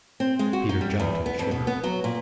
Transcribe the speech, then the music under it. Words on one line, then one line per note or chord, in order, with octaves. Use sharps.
Peter jumped and shivered.
C4
G#3
F#4
D#4
G3
E2
B3
F2
B2
B3
F#3
A#2